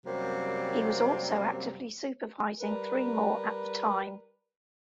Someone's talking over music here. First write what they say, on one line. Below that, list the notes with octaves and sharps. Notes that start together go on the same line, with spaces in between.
He was also actively supervising three more at the time.
F#2 C3 G3 A#3 C4
G3 A#4 B4